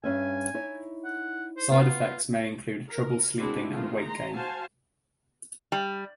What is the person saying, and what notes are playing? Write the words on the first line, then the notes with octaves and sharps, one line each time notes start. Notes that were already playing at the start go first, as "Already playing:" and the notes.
Side effects may include trouble sleeping and weight gain.
G2 C#4 E5 G#5
D#4 E4 C#5
F#5
C5
B3 F4
A#4
G#3 C4 D4 E4 F#4
D#3 G#3 A3 C4 F4
A#5 C6
F#4 C5 F5 G#5 A5
G3